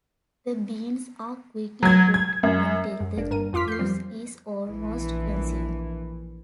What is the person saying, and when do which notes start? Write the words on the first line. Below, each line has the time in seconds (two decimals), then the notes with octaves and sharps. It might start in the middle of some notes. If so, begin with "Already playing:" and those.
The beans are quickly cooked until the juice is almost consumed.
1.83 F#3 G#6
2.14 G#6
2.43 F#2
3.00 F#2
3.17 G1 A#3 D4
3.31 G2 A#4 D#7
3.53 F2 F4 C6 D6 F6 B6
3.68 G6 C7
3.79 F3 G3 C4
4.69 A#1 E3